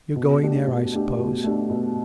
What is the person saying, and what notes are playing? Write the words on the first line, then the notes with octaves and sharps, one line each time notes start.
You're going there I suppose.'
B2
A3 D4 G4
B2
A3 D4 G4
B2
A3 D4 G4
B2